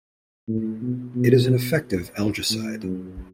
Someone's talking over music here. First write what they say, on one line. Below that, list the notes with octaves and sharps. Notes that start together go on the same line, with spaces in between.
It is an effective algaecide.
A2
B2
B2
A2
F#2